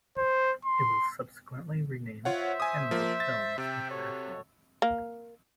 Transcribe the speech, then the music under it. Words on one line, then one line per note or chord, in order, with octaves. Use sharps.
It was subsequently renamed Handmade Films International.
C5
C6
F4 C5 C#5 E5 F#5
G#5 D#6
F3 A#3
A6
C3 E5 G5
F#4 A4 C#5
A#3